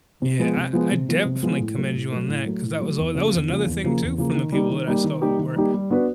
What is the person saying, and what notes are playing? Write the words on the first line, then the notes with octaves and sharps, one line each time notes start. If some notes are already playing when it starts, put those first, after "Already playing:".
Yeah. I I definitely commend you on that 'cause that was all that was another thing too from the people that I saw were
C3
F3 G#3 B3
C3
F3 G#3 B3
C3
F3 G#3 B3
C3
F3 G#3 B3
A2
F#3 A3
A2
F#3 A3
A2
F#3 A3
A2
F#3 A3
E2
C#3 F3 A#3
E2
C#3 F3 A#3
E2
C#3 F3 A#3
E2
C#3 F3 A#3
D#3
G3 A#3 D#4 G4
D#3
G3 A#3 D#4 G4
D#3
G3 A#3 D#4 G4
D#3
G3 A#3 D#4 G4
G3
B3 D4 F#4 B4